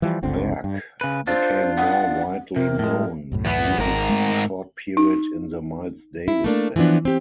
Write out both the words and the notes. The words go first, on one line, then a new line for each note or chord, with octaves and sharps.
Berg became more widely known through his short period in the Miles Davis band.
E3 F3 G3
G1 C#2 D3 C4
G2
C#3 B4
D4 F4 C5
F#5
C3 A#4
A2 G#3
C2 F#2 A2
E2 B3
G#1 G#2 A#4
G#3 A3 C4
D#4
E4
A3 A#3 D4
E3 F3 G3 B3 D4
C4 G4